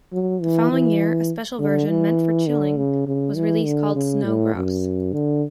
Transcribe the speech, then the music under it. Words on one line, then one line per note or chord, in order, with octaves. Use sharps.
The following year a special version, meant for chilling, was released called Snow Grouse.
F#3
E3
E3
D3
E3
D3
C#3
C#3
E3
D3
C#3
A2
F#2
D3